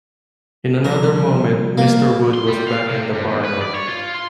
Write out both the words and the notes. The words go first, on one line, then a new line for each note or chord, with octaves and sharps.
In another moment Mr. Wood was back in the parlour.
C2 F3 A#4
A#3
C6
G3
F5
C3
G2
E2
B4
D5
C#5
F4
C6